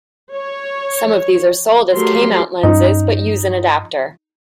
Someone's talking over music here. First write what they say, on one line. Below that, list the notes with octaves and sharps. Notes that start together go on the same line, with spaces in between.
Some of these are sold as K-mount lenses but use an adapter.
C#5
F#3 A3 G4 A#4 C6
G2 C4 C#4 D#4